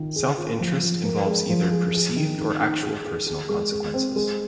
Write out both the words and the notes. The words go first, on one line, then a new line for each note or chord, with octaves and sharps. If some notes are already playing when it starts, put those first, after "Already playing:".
Self-interest involves either perceived or actual personal consequences.
Already playing: D#3 F4
G#4
F4
F3
F3
A#4
G#3
F3
G#4
G#4
D#3
D#4
D#4
G#4
G#4
G#4
G#3
G#3
C4
G#3